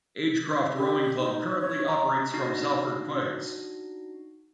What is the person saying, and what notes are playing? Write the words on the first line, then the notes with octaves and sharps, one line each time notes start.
Agecroft Rowing Club currently operates from Salford Quays.
G4
D#4
C#5
A#5
D4 D#4 F#4 A#6 C7